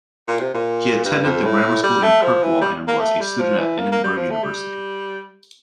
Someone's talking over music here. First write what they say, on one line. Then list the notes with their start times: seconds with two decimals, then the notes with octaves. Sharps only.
He attended the grammar school in Kirkwall, and was a student at Edinburgh University.
0.28 A#2
0.40 C3
0.55 A#2
1.05 G2
1.25 F2
1.44 A2
1.83 G3
2.03 A3
2.23 F3
2.43 E3
2.61 G3
2.88 A#3
3.00 A3
3.20 G3
3.40 F3
3.59 E3
3.78 A#3
3.92 A#3
4.03 G3
4.17 F3
4.31 A3
4.43 G3